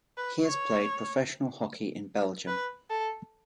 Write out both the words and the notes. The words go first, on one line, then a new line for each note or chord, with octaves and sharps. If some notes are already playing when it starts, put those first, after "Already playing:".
He has played professional hockey in Belgium.
B4
C#5
B4
A4